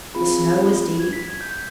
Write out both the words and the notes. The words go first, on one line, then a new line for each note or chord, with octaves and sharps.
The snow was deep.
C4 F4 G#4 B5
G#6
B6
G#6
G6